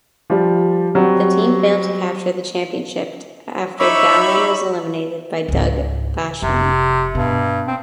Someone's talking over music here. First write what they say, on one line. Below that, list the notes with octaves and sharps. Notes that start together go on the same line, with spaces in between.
The team failed to capture the championship after Gowen was eliminated by Doug Basham.
F3 G3
F#3 G3 C4
D#4 C#5 E5 B5 C#6 D6 E6
C#2 G#2
F1 C3
G2 B2
C4